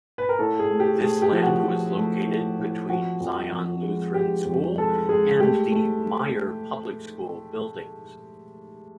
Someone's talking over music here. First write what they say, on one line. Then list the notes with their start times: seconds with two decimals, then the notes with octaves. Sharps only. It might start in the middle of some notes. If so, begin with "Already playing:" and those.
This land was located between Zion Lutheran School, and the Mayer Public School buildings.
0.18 B4
0.29 A#4
0.39 A2 A4
0.59 G#4
0.71 A3
0.80 G4
1.01 A3 G#4
1.22 G4
1.32 F3
1.43 F#4
1.63 F3
1.96 A3
2.26 A2
2.59 A2
2.89 F3 F#4
3.21 F2
3.52 F2
3.83 G#3
4.14 G#3 G4
4.45 F2
4.78 G#3 A4
5.09 G#3 G#4
5.40 A3 G4
5.72 A3